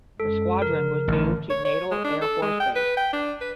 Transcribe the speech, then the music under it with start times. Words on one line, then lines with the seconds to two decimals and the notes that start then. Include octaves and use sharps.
The squadron was moved to Natal Air Force Base.
0.20 F#2 G#3 A4
0.62 C#3 F3 A#4
1.08 A1 D3
1.50 C#5
1.65 C#5
1.91 G#3
2.04 D4
2.21 A4
2.42 G#3
2.60 G5
2.76 B4
2.97 G5
3.13 D4
3.41 B4